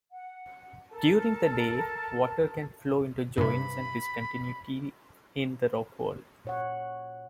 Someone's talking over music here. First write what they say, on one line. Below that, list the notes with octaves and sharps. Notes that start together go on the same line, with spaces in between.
During the day, water can flow into joints and discontinuities in the rock wall.
F#5
A4 A#4 A5
G2 C3 B5
A#2 C#5 F#5